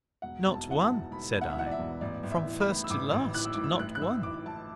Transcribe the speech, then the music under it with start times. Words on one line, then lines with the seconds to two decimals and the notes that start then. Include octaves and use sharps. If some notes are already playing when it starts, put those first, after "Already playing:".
"Not one," said I. "From first to last, not one."
0.22 E1 F#5
0.45 E1
0.53 A5
0.67 E3 F#5
0.82 A5
0.89 E2
1.11 E1 B5
1.34 E1
1.41 F#5
1.50 E5
1.56 E3 F#5
1.67 D5
1.71 E5
1.79 E2
2.01 A1 D5
2.23 A1
2.31 E5
2.46 E3
2.60 B5
2.68 A2
2.84 E6
2.90 A1 D6
3.12 A1
3.34 E3 F#6
3.45 E6
3.54 A2 D6
3.64 E6
3.79 A1 F#6
3.95 F#6
4.01 A1 E6
4.23 E3 D6
4.46 A2 A5